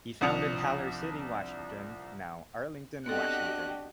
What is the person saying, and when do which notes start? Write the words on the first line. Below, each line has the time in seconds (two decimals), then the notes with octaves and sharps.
He founded Haller City, Washington, now Arlington, Washington.
0.21 C2 F3 D4 D#6 C#7 F7
3.06 B3 C4 D4 F#4 G4 A4 D#5 F#6